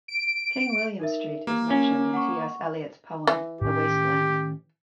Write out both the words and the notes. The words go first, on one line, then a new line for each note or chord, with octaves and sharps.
King William Street is mentioned in T. S. Eliot's poem The Waste Land.
D7
D#4 A#4 E5
A#3 G4 A#4
C#4
F#5 C#6
E3
A2 D#3 C#4 G4